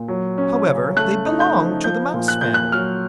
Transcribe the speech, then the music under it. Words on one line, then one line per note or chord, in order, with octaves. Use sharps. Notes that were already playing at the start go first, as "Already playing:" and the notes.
However, they belong to the Mouse family.
Already playing: A#2
F#3
C#4
C#3
A3 F#6
D#4
G6
F3
F3 G6
A#2
F#6
A#2 G6
F#6
F#3 F6